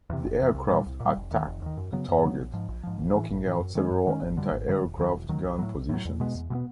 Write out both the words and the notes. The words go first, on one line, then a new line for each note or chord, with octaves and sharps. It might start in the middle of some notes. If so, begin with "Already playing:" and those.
The aircraft attacked the target, knocking out several Anti-Aircraft gun positions.
E2 C3
F#1
E2 C3
C2
A#2 G3
C2
A#2
G3
F1
D#2 D#3
F1
D#2 D#3
F#2
C#3 F#3 B3
F#2
C#3 F#3 B3
A#1
G#2 F3
A#1
G#2 F3
A1
A2 E3
A1
A2 E3
F#2
D#3 G#3 C#4
F#2
D#3 G#3 C#4
G#1
F#2 D3 G3
G#1
F#2 D3 G3
E1
D#2 D#3 F#3
E1
D#2 D#3 F#3
B1
A2 F#3
B1
A2 F#3
E2
B2 G#3 B3
E2
B2 G#3 B3